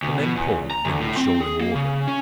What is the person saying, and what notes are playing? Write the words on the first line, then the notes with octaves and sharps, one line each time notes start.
The men poled in the shoaling water.
D2
B2
E2
A#5
D2
A2
C4
G#4
A#3
C#3
C#4